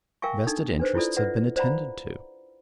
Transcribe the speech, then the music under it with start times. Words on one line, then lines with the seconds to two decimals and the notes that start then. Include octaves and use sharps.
Vested interests have been attended to.
0.22 A#4 E5 F5 G5 G#5 C#6
0.47 D4 D#4 A4
0.80 D4 B4 C5
0.95 E4 F4 A4 D5
1.17 B4 D5 E5 F#5
1.56 C5 D5 F5 F#5 A#5 B5